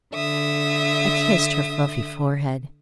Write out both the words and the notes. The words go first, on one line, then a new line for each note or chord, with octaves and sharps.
I kissed her fluffy forehead.
D3 E5 D#6